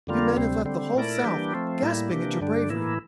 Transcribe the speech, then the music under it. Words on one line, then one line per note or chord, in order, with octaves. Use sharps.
You men have left the whole South gasping at your bravery.
F2 D3 G3 A#3 F4
D2 C3 G3 C4
D3 G3 C4
A#2 A3 E4 A#4 D5
E3 G3 A#3 D4 G4
F3 A3 C4
A2 G3 A#3 E4
C3 E3 A#3 D4 G4
G2 D3 G3 D4
A2 E3 A#3 E4